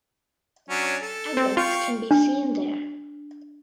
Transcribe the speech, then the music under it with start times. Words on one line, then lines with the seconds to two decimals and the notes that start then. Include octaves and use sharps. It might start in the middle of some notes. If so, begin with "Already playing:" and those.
Egrets can be seen there.
0.70 F#3 C#4 D4
1.02 A4
1.37 C4
1.57 F4 F5 G5 C#6
2.11 D4